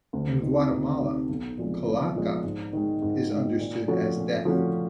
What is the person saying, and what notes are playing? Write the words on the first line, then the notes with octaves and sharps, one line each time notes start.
In Guatemala, "calaca" is understood as "death".
D2
C3 D#3
D2
C3 D#3
B1
A#2 F3 G#3
B1
A#2 F3 G#3
G#2
D#3 G#3
G#2
D#3 G#3
A#2
F3 A3 C#4 F#4
A#2
F3 A3 C#4 F#4